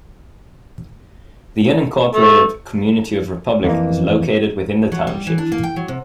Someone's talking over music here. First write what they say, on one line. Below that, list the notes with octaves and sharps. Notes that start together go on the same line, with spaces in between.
The unincorporated community of Republic is located within the township.
A3
F2 E3 A#3
F#3
G3
E3
D4
A#3
G5
F#3
C3